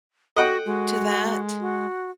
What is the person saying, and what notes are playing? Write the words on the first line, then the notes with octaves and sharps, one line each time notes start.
to that.
F#4 A4 D#5 F#5 G5
G#3 F#4
F#4